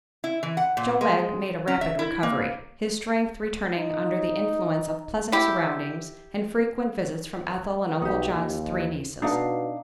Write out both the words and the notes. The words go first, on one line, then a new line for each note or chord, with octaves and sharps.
Joe Wegg made a rapid recovery, his strength returning under the influence of pleasant surroundings and frequent visits from Ethel and Uncle John's three nieces.
E4
E3
F#5
A#2
G#3
C#4
E5
E4
A#3
D#4
E4 G4
B1 D#4 G4
D#2
B2 D4 D#4 F5